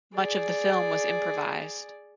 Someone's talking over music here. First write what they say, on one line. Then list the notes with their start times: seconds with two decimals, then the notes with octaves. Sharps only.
Much of the film was improvised.
0.16 G#4 D5